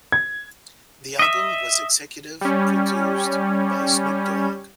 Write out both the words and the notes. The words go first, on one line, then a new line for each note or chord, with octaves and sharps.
The album was executive produced by Snoop Dogg.
G#6
D#5 E5
G3 C#4